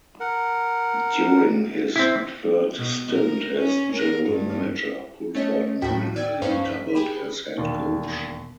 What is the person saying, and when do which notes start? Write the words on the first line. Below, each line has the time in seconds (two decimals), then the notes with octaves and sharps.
During his third stint as general manager, Pulford nominally doubled as head coach.
0.20 A#4 F#5
1.96 C4 E4
2.78 B2
3.12 A#4
3.58 C#4
3.93 A#4
4.30 G2
5.35 A3 C#4 C#5 D#5
5.82 D#2 A2 F#4 G5 B6
6.16 D5 G5 E6 G#6
6.42 G2 C#4 B4 C5 F5 C#6
6.64 A#1 B6
6.95 G4 G#4 G5 B5
7.57 E1 D#2